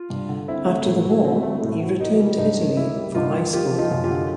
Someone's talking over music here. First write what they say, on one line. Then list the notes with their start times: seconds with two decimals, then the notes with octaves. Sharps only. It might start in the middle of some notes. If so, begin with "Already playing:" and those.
After the war he returned to Italy for high school.
Already playing: F4
0.10 G2
0.29 D3
0.48 C4 E4
0.67 A3
0.86 A2
1.05 F#3
1.25 C4
1.43 A3
1.63 A2
1.81 F#3
2.00 A#3 D#4
2.20 G3
2.38 G2 D#4
2.58 D#3
2.77 A#3 E4
2.96 G3
3.15 G2 D#4 F4
3.34 D#3
3.53 A#3 F4 G4
3.72 F3
3.79 D#4 F4
3.91 F#2
4.04 F4 G4
4.11 D3